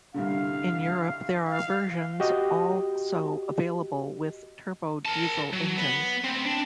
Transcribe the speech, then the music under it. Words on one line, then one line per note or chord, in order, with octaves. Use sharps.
In Europe there are versions also available with turbo diesel engines.
C2 G2 D3 F5
F5
F#4 G4 D#5
A#4 A5
F#3
B3
D2 C4
D4